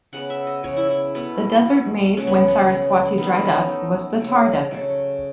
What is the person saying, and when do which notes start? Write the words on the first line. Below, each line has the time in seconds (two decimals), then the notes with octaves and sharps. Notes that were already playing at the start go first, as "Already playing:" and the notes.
The desert made when Saraswati dried up was the Thar desert.
0.13 C#3 G#3 B3 F#5
0.30 E5
0.47 D#5
0.63 C#3 G#3 B3 C#5
0.76 E4
0.89 E4
1.15 B2 A3 B3
1.65 B2 A3
2.17 C#3 F#3 B3 C#4
2.27 B3
2.48 B3
2.67 C#3 F#3 B3
3.18 D#3 A3 B3
3.35 C#4
3.52 D#4
3.69 D#3 A3
4.20 C#3 F#3 A3
4.71 C#3 F#3 A3